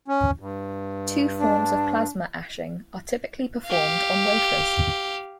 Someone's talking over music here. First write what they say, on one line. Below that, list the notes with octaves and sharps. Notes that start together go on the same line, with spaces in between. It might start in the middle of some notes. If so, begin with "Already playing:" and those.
Two forms of plasma ashing are typically performed on wafers.
C#4
G2
D4
G4 F5